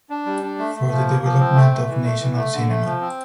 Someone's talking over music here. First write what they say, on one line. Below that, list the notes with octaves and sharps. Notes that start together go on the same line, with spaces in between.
For the development of national cinema.
D4
G3
D4
A3
A3
F3
A#3
F3
C4
A3
A3
E3
A3
E3
A3
D3
A3
F3
C4